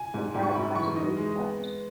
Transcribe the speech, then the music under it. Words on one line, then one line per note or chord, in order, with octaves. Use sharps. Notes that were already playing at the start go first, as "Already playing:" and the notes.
The crowd practically clapped!
Already playing: G#5
G#2
G#2
C#6
F#2 B5
E3 C#6
D#4
G#3
B3
B3